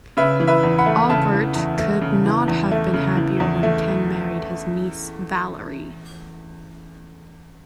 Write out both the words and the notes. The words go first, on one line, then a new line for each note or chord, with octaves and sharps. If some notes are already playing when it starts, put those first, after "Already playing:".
Albert could not have been happier when Ken married his niece Valerie.
C#3 B4 E5
E3
B4 E5
E2
F#5 B5
A3
C#3 E5 A5
E3
E2
A3
C#3
E3
E2
A3
C#3
E3
E2
A3